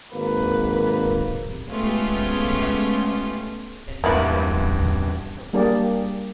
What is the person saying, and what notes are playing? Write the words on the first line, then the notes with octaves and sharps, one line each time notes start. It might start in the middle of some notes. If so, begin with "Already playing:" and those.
These include both low and high income housing.
G#1 A#3 B4
G#3 A3 B3 C#4 F4 G4
E2 G2 A#3 B3 E4
G3 A#3 D4 G4 G#4 D5